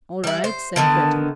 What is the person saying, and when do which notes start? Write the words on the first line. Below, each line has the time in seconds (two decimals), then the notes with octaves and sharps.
"All right," said Breton.
0.24 G3 E4
0.44 C5
0.76 D3 D#3 B3 A5